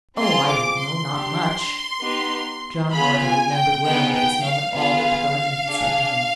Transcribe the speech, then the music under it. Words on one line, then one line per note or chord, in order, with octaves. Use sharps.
"Oh, I don't know; not much." John, however, remembered well, at this moment, all that the gardener had said to him.
C4 F4 G#4 C6
D6
C6
D4 G4
B3 D#4 G4
B3 F4 G#4 B5
G#5
G5
B3 D#4 G#4 G5
G5
F5
B3 F4 G#4 F5
D4 G#4